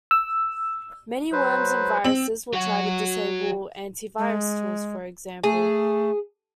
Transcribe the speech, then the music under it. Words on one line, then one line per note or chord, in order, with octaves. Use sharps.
Many worms and viruses will try to disable anti-virus tools, for example.
E6
F#3 B4 C5
C4 F#7
F#3 F#4
G#3
A3 G#4